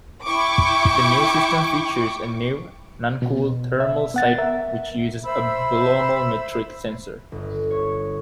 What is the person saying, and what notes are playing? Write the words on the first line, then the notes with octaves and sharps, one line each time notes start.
The new system features a new, non-cooled thermal sight which uses a bolometric sensor.
E4 G5 C#6 D6
B2
E5
B3 F#5 A6
A#4 E5
C5 E5 B5 E6
G1
C#5